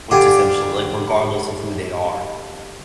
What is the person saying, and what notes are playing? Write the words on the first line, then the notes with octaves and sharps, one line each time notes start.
which essentiall like, regardless of who they are,
D3 F4 G4 G#5